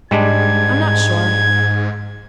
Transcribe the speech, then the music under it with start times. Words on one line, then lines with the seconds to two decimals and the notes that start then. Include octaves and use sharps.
I'm not sure.
0.11 G#2 G3 G#3 D4 G#6